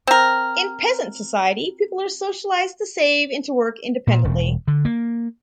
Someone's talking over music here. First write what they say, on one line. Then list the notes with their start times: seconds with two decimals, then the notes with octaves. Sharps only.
In peasant society, people are socialized to save and to work independently.
0.07 C4 A#4
4.07 A#2
4.24 E1
4.68 D3
4.85 A#3